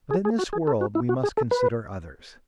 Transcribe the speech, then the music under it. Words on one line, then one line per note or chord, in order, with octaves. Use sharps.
But, in this world, we must consider others.
G#4
G#4
F#4
G#4
A4
F#4
E4
F#4
G#4
A4
B4